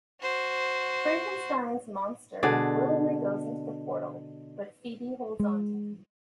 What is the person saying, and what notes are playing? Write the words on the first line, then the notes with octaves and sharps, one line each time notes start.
Frankenstein's monster willingly goes into the portal, but Phoebe holds onto him.
F#4 C5
B2 D3 G#4 D5
G#3